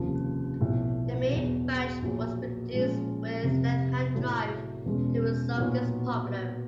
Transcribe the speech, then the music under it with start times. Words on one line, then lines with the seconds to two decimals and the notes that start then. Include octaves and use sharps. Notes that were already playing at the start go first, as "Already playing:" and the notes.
The main batch was produced with left-hand drive to resolve this problem.
Already playing: F1 D#2 C#3 F3
0.60 B1 A2 F3
1.31 E1 E2 B2 F#3
2.02 A#1 A#2 F#3
2.73 A#2 F3 G#3 C#4
3.43 F1 F2 C3
4.14 A2 F#3 A3
4.86 E2 B2 G#3 C#4
5.56 A#2 F#3 B3 D#4 F#4